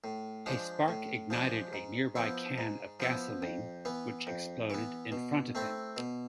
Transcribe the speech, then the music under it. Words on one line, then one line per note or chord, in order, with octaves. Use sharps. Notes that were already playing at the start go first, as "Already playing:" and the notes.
A spark ignited a nearby can of gasoline, which exploded in front of him.
A2
F3 G#3 D4
A2
F3 G#3 D4
G#2
F3 B3 E4
G#2
F3 B3 E4
F2
E3 B3
F2
E3 B3
B2
A3 C4 E4
B2